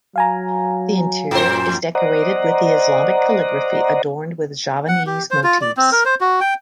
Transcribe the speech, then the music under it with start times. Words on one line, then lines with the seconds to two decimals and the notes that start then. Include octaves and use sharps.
The interior is decorated with the Islamic calligraphy adorned with Javanese motifs.
0.16 F#3 F5 G#5 A#5
1.31 F#2 A2 C5
1.95 C5 D5 D#5 F#5 A#5
4.88 F#5
5.07 G4
5.31 C5
5.44 F4
5.61 D5
5.77 C4
5.92 A#4
6.05 C5
6.21 F#4
6.41 G5